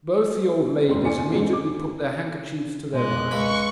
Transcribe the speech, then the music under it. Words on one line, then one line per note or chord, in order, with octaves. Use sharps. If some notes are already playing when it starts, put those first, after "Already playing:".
Both the old ladies immediately put their handkerchiefs to their eyes.
F1 D#2 G#2 C6
F#1 D5 G#5 C#7
F2 G#2 C#3 F#3 G#3
D6
B2 G#3 F#6
C#2 B5 C#6